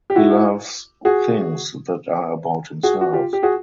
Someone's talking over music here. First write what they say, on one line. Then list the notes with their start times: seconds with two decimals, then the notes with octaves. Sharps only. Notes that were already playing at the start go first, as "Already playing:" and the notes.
He loves things that are about himself.
0.10 G4
0.16 E4 F#4
1.05 F#4 G#4
2.83 F#4 G#4
3.01 F#4
3.13 F4 G4
3.33 G4
3.43 F#4 G#4